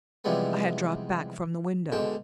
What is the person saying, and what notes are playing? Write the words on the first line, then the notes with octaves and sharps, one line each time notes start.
I had dropped back from the window.
C3 E3 F3 G3 G#3 B3
B2 D3 G#3 G5 A5